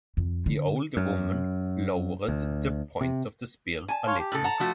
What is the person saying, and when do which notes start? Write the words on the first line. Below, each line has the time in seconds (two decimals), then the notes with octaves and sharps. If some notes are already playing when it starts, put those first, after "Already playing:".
The old woman lowered the point of the spear a little.
0.17 F2
0.46 D3
0.97 F#2
2.28 D2
3.01 C3
3.88 G#5 A5
4.07 C#5 F5 C6
4.19 G4
4.32 A2 C#3 A4
4.44 F#5 A5 A#5
4.60 F3 A3 F#4